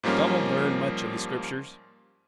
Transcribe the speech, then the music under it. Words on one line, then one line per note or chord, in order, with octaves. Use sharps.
Donald learned much of the Scriptures.
G#2 F3 G3 A#3 C#4